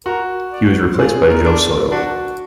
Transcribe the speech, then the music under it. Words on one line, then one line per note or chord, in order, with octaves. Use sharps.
He was replaced by Joe Soto.
F#4 A#4
D5
F4 G#4
A#4
D4
D4 F#4